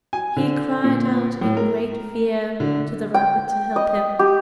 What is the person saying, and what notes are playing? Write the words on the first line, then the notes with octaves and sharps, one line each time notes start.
He cried out in great fear to the rabbit to help him.
G#5
D3
A#2
A2
A#4
D3
G5
D#5
G4